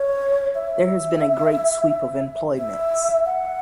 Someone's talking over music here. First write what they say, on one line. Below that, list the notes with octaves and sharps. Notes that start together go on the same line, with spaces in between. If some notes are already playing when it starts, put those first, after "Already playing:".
There has been a great sweep of employments.
Already playing: C#5
E5
E5
F#5